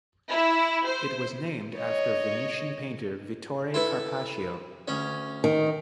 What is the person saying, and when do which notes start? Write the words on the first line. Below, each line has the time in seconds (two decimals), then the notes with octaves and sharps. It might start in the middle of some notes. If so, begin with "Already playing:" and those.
It was named after Venetian painter Vittore Carpaccio.
0.29 E4
0.86 C5
1.77 C#5 D#5
3.74 E4 A4 B4
4.88 D2 C#4
5.44 D#3